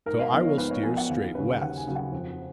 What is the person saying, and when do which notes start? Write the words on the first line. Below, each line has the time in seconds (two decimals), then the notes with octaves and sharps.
So I will steer straight west.
0.06 G#2 A#4
0.19 F5
0.32 F3 B3 D#4 F5
0.45 C#5
0.57 G#2 B4
0.71 C#5
0.83 F3 B3 D#4 G#5
0.97 F#5
1.09 D#2 F5
1.35 C#3 F#3 C#4 B4
1.49 G#4
1.60 D#2 F#5
1.77 G#5
1.87 C#3 F#3 C#4
1.95 F#5
2.12 F2